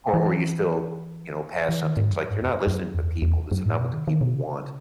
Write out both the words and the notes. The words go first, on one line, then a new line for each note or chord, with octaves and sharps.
Or or you still, you know, pass something it's like, you're not listening to people, this is not what the people want.
E3
E3
D#3
G#2
F#2
G#2
E2
F#2
F#2
E2
E2
F#2
A2
B2
D#3
D#3
B2
C#3